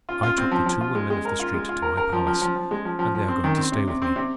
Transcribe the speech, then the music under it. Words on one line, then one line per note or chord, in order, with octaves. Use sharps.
I took the two women of the street to my palace, and they are going to stay with me.
F4
F4
C4
F3
F3
F4
G#3
G#3
A#4
F4
G#3
F4
A#4
A#4
F3
F3
F3
F3
G#3
F3
F3
F3
C4
D#3
C4
C3
C3
C4
C3